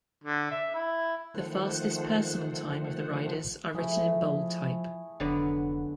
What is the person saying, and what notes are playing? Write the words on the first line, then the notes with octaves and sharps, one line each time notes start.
The fastest personal time of the riders are written in bold type.
D3
E5
E4
D#3 F3 A3 C5 F#5
F3 A3 E4 G#4
F1 D3 F#3 B3